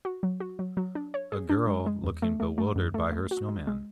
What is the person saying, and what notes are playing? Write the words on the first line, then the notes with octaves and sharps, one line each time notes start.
A girl looking bewildered by her snowman.
F#4
F#3
F#4
F#3
F#3
D4
C#5
G#4
D4
G#3
G#3
E2
A3
A3
A3
F#2
A3
A3
F#4
G#3
G#3